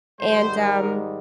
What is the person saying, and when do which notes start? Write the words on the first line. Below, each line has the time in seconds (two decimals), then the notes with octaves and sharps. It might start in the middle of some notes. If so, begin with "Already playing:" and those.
And, um,
0.20 G#2 D#3 G3 C5
0.59 A#4